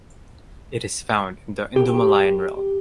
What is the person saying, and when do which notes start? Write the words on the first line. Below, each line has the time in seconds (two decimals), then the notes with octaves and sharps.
It is found in the Indomalayan realm.
1.76 G4